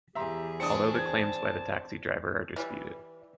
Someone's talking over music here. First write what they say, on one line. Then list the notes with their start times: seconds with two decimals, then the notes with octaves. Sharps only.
Although the claims by the taxi driver are disputed.
0.15 E2 G4 G#4 E5 A#5 C6
0.60 C4 D4 A5 D#6 C#7
0.95 G#6
2.56 E3 G3